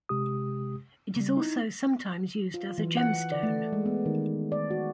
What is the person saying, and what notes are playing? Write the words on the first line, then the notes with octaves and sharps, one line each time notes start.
It is also sometimes used as a gemstone.
C3 G#3 G4 D#6
C#3 G3
D#4 E4
F4
E3
F#5
D5
A3
G#3
B3
D#3
D5
F#4